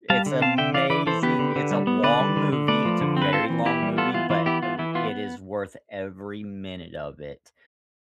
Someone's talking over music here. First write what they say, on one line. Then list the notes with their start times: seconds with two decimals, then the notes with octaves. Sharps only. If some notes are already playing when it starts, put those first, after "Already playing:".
It's amazing! It's a long movie, it's a very long movie, but it w it is worth every minute of it,
0.10 G3 F5 A5
0.26 D3
0.42 C4 F5 A5
0.58 D3 E5 G5
0.74 E3 D5 F5
0.90 E3 B4 D5
1.07 E3 A4 C5
1.23 B3 G4 B4
1.39 D3
1.56 D3
1.71 G3
1.87 B3
2.04 D3 B4 D5
2.20 G3
2.37 D3
2.52 D3
2.68 A3 B4 D5
2.85 F3
3.01 D3
3.17 C4
3.22 B4
3.33 C4 F4 A4
3.50 E3
3.65 E3 E4 G4
3.82 G3
3.98 B3 F4 A4
4.14 E3 F4
4.30 E3 F4
4.46 B3 E4 G4
4.63 E3 F4
4.79 E3 E4
4.95 B3 F4